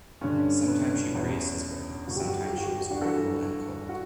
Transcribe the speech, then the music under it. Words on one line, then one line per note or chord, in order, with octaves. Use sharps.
Sometimes she praised his work; sometimes she was critical and cold.
G2 D3 C#4
B3
C#4
E2 B2 C#4 E4
G2 D3 F#4
G4
F#4
G4
F#4
G4
F#4
G4
F#4
G4
D4 F#4
G2 E3 F#4 A4
F#4